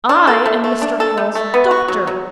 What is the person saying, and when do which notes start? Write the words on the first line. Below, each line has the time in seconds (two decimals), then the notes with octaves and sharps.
'I am Mr. Hale's daughter.
0.09 D4
0.27 A4
0.46 A3
0.64 A3
0.82 D4
1.00 A4
1.17 A3
1.35 A3
1.54 B3
1.71 F#4
1.88 F#3
2.07 F#3